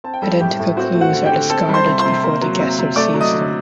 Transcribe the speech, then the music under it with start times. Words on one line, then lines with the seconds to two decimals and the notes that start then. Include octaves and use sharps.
Identical clues are discarded before the guesser sees them.
0.04 C4 A5
0.14 G5
0.22 G3 A4 A5
0.40 A2 G4 G5
0.59 A2
0.77 C4 F#4 F#5
0.95 A3
1.01 F#4 F#5
1.13 D3
1.26 G4 G5
1.32 D3
1.50 C4 A4 A5
1.68 G3
1.74 C5 C6
1.86 C3
1.99 C5 C6
2.05 C3
2.23 A#3
2.42 F#3
2.60 C3
2.79 C3
2.96 A3 D5 D6
3.14 F#3
3.21 D#5 D#6
3.32 D3